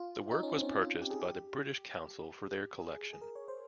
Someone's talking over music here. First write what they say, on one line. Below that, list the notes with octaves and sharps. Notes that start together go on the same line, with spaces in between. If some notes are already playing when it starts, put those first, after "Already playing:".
The work was purchased by the British Council for their collection.
Already playing: F4
D#4
C#4
C4
C#4
F4
G4
G#4
G4
G#4
G#4
A#4
C#5
C5